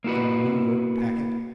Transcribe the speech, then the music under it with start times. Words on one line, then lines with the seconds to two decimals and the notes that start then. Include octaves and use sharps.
From the New York Packet.
0.04 A#3 E4 F#4 B4